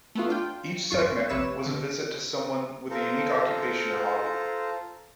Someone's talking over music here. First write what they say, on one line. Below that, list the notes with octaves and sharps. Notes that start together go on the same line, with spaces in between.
Each segment was a visit to someone with a unique occupation or hobby.
A3 B3 F4
D4 F4 G5
G#1 F#2 F4 C#6
A#1 C3 B4 C#5 E5 E7
D3
F4 A4 C5 A#5